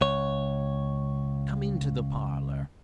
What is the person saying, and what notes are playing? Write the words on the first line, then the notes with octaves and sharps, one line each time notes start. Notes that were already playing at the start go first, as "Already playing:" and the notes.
Come into the parlour.
C#2 C#5